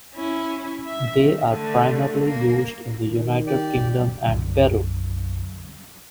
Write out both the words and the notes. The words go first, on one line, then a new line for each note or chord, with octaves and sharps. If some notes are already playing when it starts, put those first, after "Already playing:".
They are primarily used in the United Kingdom and Peru.
C#4 E4
E5
D#3
D3 A3
A#3
D#3
G4 D5
B1 F#2 D3 F#3